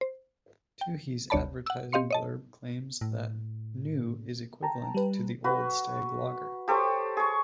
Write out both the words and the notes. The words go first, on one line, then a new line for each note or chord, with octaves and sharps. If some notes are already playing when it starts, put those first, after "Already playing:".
Toohey's advertising blurb claims that New is equivalent to the old Stag lager.
C5
G5
G1 D2 C#5 D5 A5 B5
F#5 E6
C4 G4 D#5 F5 C6 C#7
C#5 D#5 A5
A2
G5 A5 A#5
G3 B4
F#4 B4
G4 A4 C5 C#5
G#4 C#6